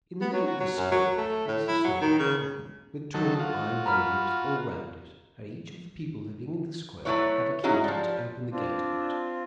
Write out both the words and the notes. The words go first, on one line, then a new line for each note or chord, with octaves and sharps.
In the middle of this Square there was a sort of garden with tall iron railings all round it, and each of the people living in the Square had a key to open the gate of it.
B3
F#3
F#4
F#3
F#2
F#3
A3
A2
E4
F#3
D#3
C#3
D#3 F#3 A4
F4 F#4
A#5 B5 F6
F#3 A3 C4 E4 B4 C#5
F#3 C#4 D#4 E4 F#4 G#4
F3 G3
C4 D4 F4